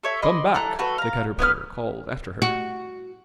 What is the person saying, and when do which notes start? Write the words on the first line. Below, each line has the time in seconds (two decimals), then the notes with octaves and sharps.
'Come back!' the Caterpillar called after her.
0.03 A4 C#5 E5
0.22 D#5 B5 C6 D6
0.54 E4 A4 A#5 F#6
0.79 A3 F#4 A4 B4
0.98 F5 A#5
1.39 B3 B4 G#5 F6
2.42 F#4